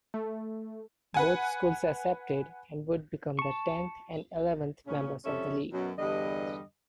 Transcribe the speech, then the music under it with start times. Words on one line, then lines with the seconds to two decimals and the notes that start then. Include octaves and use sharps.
Both schools accepted and would become the tenth and eleventh members of the league.
0.14 A3
1.14 B4 F#5 G#5
3.39 A5 C#6
4.87 D2 A#2 C#3 C#4
5.24 F2 C3 G3 C#4 A4 E5
5.72 F#2 B2 F#3
5.98 E2 G2 D3 G3 D#5